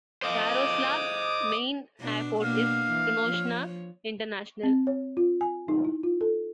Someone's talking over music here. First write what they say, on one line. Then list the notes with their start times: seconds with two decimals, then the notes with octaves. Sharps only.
Yaroslavl's main airport is Tunoshna International.
0.22 C5 D#5 F5 D6 D#6
2.00 B2 D4
2.41 B2 A#3 D4 F5
2.90 E3
3.23 F3 C#5
4.63 C4
4.87 C#5
5.17 F4
5.41 G#5
5.68 D#4
5.85 E4
6.03 F4
6.21 A4